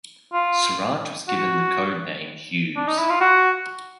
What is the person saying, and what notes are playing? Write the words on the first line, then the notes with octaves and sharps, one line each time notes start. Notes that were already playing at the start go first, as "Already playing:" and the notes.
Sarant was given the code name Hughes.
F4
F#4
D4
D#4
E4
F4
F#4